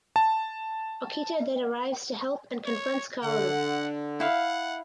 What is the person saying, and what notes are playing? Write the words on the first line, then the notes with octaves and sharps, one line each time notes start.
Okita then arrives to help and confronts Kaoru.
A5
C#5
D3 F#5
E4 F5 F#5